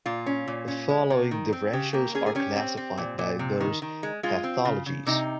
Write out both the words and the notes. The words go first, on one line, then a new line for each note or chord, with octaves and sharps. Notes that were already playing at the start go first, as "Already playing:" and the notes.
The following differentials are classified by those pathologies.
A#2 F4
C#4
A#2
C#4
G#3
C3
D#3
C4
C#3 G4
A#3 G4
C#4 G#4
G#4
C#4 G4
C4
C4
A#2
A#2
C3
D#3
D#3
G#3
G#3 F4
C4
C#3
C#3
C3 D#4